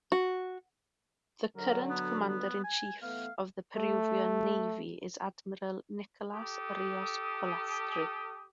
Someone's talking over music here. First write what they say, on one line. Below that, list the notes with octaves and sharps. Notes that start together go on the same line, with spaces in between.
The current Commander-in-Chief of the Peruvian Navy is Admiral Nicolas Rios Polastri.
F#4
D3 F#3 A#4
B3
B3
G#5
E3 A3 B3 F5
A3
G4 A4 D#6